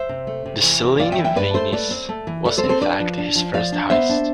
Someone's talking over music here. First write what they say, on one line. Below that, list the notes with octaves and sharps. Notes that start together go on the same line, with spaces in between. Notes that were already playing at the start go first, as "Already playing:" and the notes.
The Cellini Venus was, in fact, his first heist.
Already playing: C5 E5
C3
A3
C3
E3
C3
C3 D5 F5
E5 G5
E3
E5 G5
G2 B4 D5
A3 A4 C5
A3 B4 D5
C4
A3
E3
A3 B4 D5
A4 C5
C4
A4 C5
D4 B4 D5
F3
D4
F3
F3 D5 F5
D4
B3 C5 E5
D4